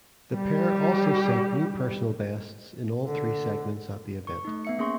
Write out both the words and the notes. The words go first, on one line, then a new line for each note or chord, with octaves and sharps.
The pair also set new personal bests in all three segments at the event.
G3 G4
D3
C#6
A3 D#4
B3 E5 C#7
A#3 C#4 G#4 C6 C#6